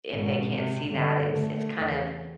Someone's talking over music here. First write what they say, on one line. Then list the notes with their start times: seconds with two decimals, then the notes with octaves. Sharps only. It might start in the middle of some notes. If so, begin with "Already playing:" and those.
if they can't see that, it's it's kind of
0.11 G#1 B2
0.52 C3
0.87 G2 D3
1.30 D3 A3
1.74 E2